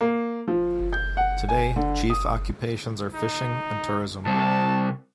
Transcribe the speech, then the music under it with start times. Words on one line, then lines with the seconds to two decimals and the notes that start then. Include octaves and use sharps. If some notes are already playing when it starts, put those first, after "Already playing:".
Today, chief occupations are fishing and tourism.
0.01 A#3
0.48 F3
0.93 G6
1.17 F#5
1.49 G#5
1.76 D3
2.10 D#6
3.15 D#4
4.26 C3 G3 A5